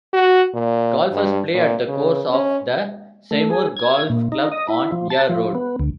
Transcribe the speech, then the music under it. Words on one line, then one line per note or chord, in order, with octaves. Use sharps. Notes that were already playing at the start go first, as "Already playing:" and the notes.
Golfers play at the course of the Seymour Golf Club on Yea Road.
F#4
A#2
G2
A#2
C#3
C#4
A3
G#4
G#6
A#2
D#4
D#5
E4
F3
A5
F3
B3
D2